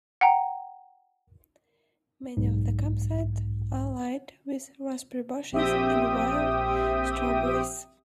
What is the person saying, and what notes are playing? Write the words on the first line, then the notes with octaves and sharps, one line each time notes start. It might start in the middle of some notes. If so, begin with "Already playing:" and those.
Many of the campsites are lined with raspberry bushes and wild strawberries.
F#5 G5 A#5
B1 G#2
A#1 C4 G4 E5 G5 D#6